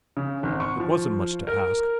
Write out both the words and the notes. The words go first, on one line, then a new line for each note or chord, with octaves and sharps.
It wasn't much to ask.
C#3
G#1
C#6
F3
A#4